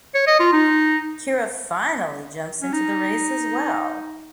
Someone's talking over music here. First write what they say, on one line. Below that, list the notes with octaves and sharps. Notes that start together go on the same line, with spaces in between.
Keira finally jumps into the race as well.
C#5
D#5
F4
D#4
C#4
D#4